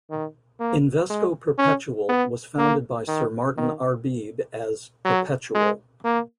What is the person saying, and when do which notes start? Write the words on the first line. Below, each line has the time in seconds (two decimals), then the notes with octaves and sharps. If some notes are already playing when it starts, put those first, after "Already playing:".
Invesco Perpetual was founded by Sir Martyn Arbib as "Perpetual".
0.10 D#3
0.60 A#3
1.10 G#3
1.58 C#4
2.09 B3
2.58 A#3
3.08 D#3
3.57 D#3
5.05 F#3
5.55 G#3
6.04 A#3